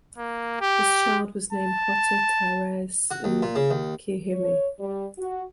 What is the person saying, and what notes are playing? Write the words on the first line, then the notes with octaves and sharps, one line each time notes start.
This child was named Hottataraisukihime.
A#3
G4
A5
F#4
D#2
A#2
C#3
D#2
C#5
G3
F#4